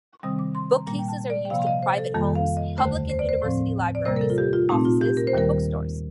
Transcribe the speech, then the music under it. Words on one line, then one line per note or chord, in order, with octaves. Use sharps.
Bookcases are used in private homes, public and university libraries, offices and bookstores.
C3 D#3 G3 C4 D#6
D6
C6
A#5
A#2 G3 A#3 A#5
G5
A5
D5
G5
C3 F3 A#3 F5
F5
D#5
C5
A4
F2 D#3 G3 A#3 A4
F5
D#5
D#2 D3 A3 C5
C5
D5
C5
A2 F3 C4
D5
C3 G3 A#3 C5
A#4
A4
F4
G4
F4
A#2 A3 C4 D#4
F4
G4
A#4
C5
D#2 D#3 G3 A#3 A#4